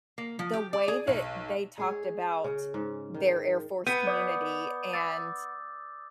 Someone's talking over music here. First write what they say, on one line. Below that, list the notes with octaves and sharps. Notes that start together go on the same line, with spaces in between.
the way that they talked about their Air Force community, and
A#3
F3
G4
D5
G#4
B1
G#3 G#4 C#5
C#3
G#2
D#3
B3 G6 D#7
D5 D6 D#6
D6 E6 A6